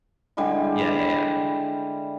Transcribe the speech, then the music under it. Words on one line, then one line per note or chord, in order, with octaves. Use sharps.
Yeah, yeah, yeah.
D3 G3 G#3 E4